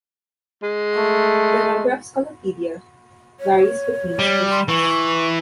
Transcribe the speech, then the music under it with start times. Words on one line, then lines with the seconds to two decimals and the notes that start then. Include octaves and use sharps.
The number of scolopidia varies between species.
0.63 G#3
0.98 A3
3.40 C#5
4.19 G3
4.51 C6
4.68 E3 C#6